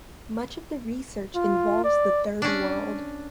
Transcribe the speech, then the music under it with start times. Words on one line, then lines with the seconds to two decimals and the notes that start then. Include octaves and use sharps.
Much of the research involves the Third World.
1.35 F4
1.84 D5
2.42 C#4 D4